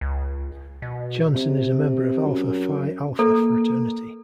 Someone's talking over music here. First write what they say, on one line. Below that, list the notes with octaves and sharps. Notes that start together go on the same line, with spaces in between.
Johnson is a member of Alpha Phi Alpha fraternity.
C#2
B2
C3
F#2
A#3 A4